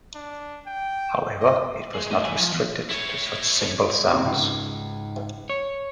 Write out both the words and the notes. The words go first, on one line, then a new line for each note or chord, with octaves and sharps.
However, it was not restricted to such simple sounds.
D4
G5
D#5
G#3 G#4
A2 D#5
E4 G#5
F3
E2
E4 C#5
C3
C#2 G#2
C#5